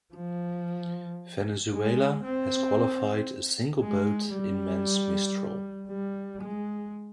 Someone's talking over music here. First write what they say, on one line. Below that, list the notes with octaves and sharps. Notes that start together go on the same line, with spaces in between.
Venezuela has qualified a single boat in men's mistral.
F3
G#3
C4
G#3
G3
G3
G#3